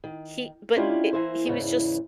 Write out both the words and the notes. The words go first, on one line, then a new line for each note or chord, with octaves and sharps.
he but it he was just
D#3
G#3 C#4 D4 E4 F4 G4
E3 A#3 E4 A#4 C5
E2 G#2 C#3 E3